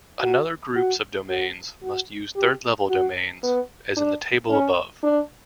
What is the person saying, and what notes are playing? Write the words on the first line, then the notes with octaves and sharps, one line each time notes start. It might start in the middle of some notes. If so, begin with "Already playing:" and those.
Another groups of domains must use third-level domains, as in the table above.
F#4
F#4
F#4
F#4
G4
F#4
B3
D4
C#4
D4